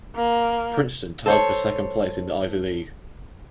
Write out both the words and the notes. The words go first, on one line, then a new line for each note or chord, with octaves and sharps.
Princeton tied for second place in the Ivy League.
A#3
A4 C5 C#5